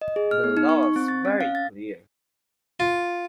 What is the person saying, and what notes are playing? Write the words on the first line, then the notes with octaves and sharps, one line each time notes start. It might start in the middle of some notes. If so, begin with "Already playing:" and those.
The law is very clear.
D#5
G#4
F6
B3
D#4
C#6
C#6
C4
A6
C#4
F5
A6
F4